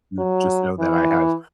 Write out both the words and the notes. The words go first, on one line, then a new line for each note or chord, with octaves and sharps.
You just know that I have
F#3
E3